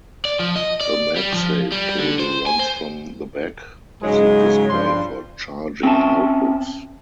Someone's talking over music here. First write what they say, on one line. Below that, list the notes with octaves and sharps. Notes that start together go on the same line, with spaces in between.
A MagSafe cable runs from the back of the display for charging notebooks.
D5
F3
D#5
D5
G3
F3
G3
D3
C5
G#5
C5
G#2 C#3 F#3 G#3
G2 F3 G3 C6
C4 C#4 E5 A5